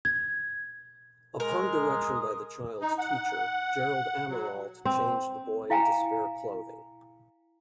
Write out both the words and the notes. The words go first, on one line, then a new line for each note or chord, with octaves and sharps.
Upon direction by the child's teacher, Gerald Amirault changed the boy into spare clothing.
G#6
G#3 A#4
D#6
D#4
F#5
F#3
C4
E4 F5 G5 G#5 A#5